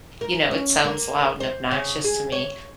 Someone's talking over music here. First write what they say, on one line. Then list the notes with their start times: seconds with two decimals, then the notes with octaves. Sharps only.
you know, it sounds loud and obnoxious to me,
0.21 A#4
0.51 C#4
0.84 A#3
1.40 C5
1.71 C#3
2.04 G#4
2.32 C#5